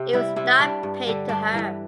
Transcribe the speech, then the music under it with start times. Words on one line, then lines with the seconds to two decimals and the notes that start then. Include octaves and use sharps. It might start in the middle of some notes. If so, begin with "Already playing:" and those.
It was not paid to her.
Already playing: C3 G4
0.13 G3 E4
0.36 C3 E4
0.60 G3 D4
0.83 G2
1.07 D3 G3
1.29 G2 D4
1.53 E3 G3